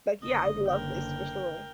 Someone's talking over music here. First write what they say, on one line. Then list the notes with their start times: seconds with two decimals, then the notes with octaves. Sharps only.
Like, yeah, I'd love this for sure.
0.22 F#1 D3 D#5
0.67 A#4 G5